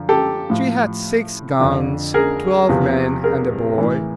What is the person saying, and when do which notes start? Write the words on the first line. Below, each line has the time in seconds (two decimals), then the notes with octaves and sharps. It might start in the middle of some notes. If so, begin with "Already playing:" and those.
She had six guns, twelve men, and a boy.
Already playing: F#2 D3 F3
0.09 G4 A4
0.50 A2 F3
1.59 F2 D3 F3
2.14 G#4 A#4
2.69 E2 C3 F3
3.24 G#4 A#4
3.78 A2 E3